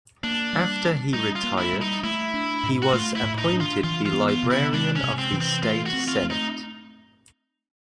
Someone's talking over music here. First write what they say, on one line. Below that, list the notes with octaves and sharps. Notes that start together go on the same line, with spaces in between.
After he retired, he was appointed the librarian of the state senate.
A#3 D4
G3
C#4
G3 D#4
F4
A#3
E4
G3
D#4
A3 E4
D4
A2
F#4
A3 F4
E4
A2
D#4
D4
F4
E3 F4
F4
B3
F4
C3
E4
G#3 D4
C#4
C3
C4
E3
C4
A3 F4
F#4
C4
F4
A3
D#4